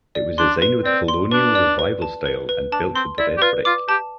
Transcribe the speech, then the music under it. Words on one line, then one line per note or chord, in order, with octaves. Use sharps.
It was designed with Colonial Revival style and built with red brick.
D5
D4 C6
B4
C4 D5
C6
D4 B4
D5
B4
A5
B4
B4
D4 A5
C4 C6
E4 D5
G4
F4 B4
F4 D6
G4 A5